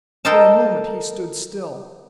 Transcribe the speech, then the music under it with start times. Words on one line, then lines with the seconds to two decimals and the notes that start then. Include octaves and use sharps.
For a moment he stood still.
0.25 A4 A#4 C5 D#5 G5 A5